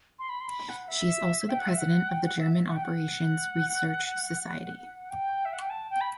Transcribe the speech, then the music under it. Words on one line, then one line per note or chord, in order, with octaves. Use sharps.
She is also the president of the German Operations Research Society.
C6
B5
C6
B5
F#5
E5
G5
F#5
E5
F#5
G5
F#5
E5
E5
F#5
G5
F#5
G5
E5
F#5
G5
A5
G5
B5